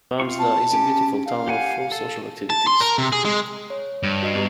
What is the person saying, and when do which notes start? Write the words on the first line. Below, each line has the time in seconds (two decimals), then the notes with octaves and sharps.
Vansda is a beautiful town of full social activities.
0.20 C4 F4 C#6
0.39 A5
0.73 C#4 G4
1.26 F5
1.48 G4 F#5 G#5
1.92 A4
2.50 A5
2.67 C6
2.80 A#4
2.98 C3
3.12 G#4
3.25 G#3
3.70 C#5
4.03 G2
4.23 F#4 D#5 C7
4.35 B3 G4 A#5